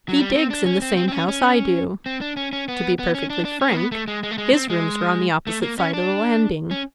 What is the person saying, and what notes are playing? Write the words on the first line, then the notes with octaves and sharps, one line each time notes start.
He digs in the same house I do. To be perfectly frank, his rooms are on the opposite side of the landing.
F#3
G3
C4
D4
C#4
C4
C4
C4
C#4
C#4
C4
D4
C#4
C#4
B3
B3
C#4
D4
D4
C#4
A#3
B3
A3
G#3
G#3
A3
G#3
C4
G#3
A3
A#3
C#4
D4
C#4